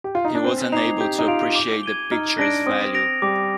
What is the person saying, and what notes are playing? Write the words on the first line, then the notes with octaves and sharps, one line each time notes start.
He wasn't able to appreciate the picture’s value.
G4
F4
D#4
D4
C4 G#5
D#4 D6 G#6 C7 F7
G4 G6
D#4
F4 D7 F7
D6
G#6 D#7 G7
D#4 F6
D4 A#6 D7
C4 D#6
A#6 D7 F7
G3 D6